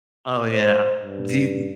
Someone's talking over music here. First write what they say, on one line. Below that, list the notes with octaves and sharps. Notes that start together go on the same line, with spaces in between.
Oh, yeah, di
C5
G2